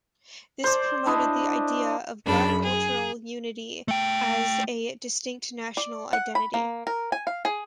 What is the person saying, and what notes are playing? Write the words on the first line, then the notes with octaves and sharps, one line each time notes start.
This promoted the idea of black cultural unity as a distinct national identity.
C5 D5
D4 E4 D#5
F#2 C#3 D4 B5
G#4
A3 G5
D5
F#5
B5
A#3
A#4
G#5
F5
G#4